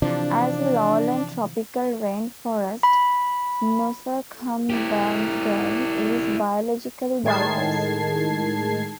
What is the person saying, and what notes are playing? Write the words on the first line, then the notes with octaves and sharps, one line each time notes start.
As a lowland tropical rain forest, Nusakambangan is biologically diverse.
C3 E3 F3 D4
B5
E4 G4
A2 D#3 G#3 A5 G#6 C7